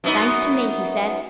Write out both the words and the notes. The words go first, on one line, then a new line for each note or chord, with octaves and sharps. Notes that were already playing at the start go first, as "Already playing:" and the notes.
"Thanks to me," he said.
F#2 B3 D#4